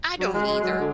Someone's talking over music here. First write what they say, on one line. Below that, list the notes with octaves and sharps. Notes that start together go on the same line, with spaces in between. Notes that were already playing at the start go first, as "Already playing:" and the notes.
I don't either.
F#3
G#3
F#3
D3